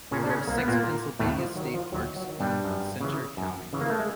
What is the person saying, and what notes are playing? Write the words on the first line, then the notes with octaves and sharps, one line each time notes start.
There are six Pennsylvania state parks in Centre County.
A#2 C#3 C#4
D4
C#3 C#4
C2 A#3
B3
A#2 A#3
A#2
D#2 A2 A3
F3
D#3 F#3
F3
D#2 F#3
F#3
D#3
G2 G3
F#2
C#3 E3
F#2
C#3 E3
A#3
A3
G#3